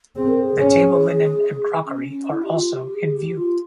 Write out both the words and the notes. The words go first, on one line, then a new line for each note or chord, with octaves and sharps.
The table linen and crockery are also in view.
C4 G#4
A#4
G#4
C#4
C#4
C#4
E4
G4
F4
G4
G#4
G4
F4